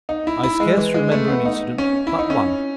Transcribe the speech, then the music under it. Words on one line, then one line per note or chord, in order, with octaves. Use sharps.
I scarce remember an incident but one.
D#4
E4
E4
G#3
E3
G#3
A3
B3
D#4
C#4
E4
D#4
C#4